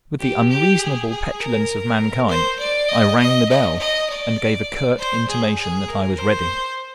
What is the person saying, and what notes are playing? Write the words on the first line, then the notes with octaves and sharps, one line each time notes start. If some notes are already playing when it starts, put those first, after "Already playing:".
With the unreasonable petulance of mankind I rang the bell and gave a curt intimation that I was ready.
G4
G4
G#4
G#4
A#4
C5
D5
D#5
D#5
D#5
D#5
D5
C5
G#4
G#4
A#4
C5